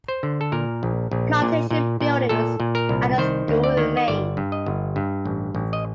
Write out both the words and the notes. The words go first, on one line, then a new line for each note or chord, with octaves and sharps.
Plantation buildings and a school remain.
C5
D3
A4
A#2 A#4
A#1
A#1
A#2
A#2
A#2
A#2 A4
A#2
A#4
C2
D#3 C5
D2
D5
D#3
D#5
G1 D5
G2
D#5
G1
G2
A1
A1
D#5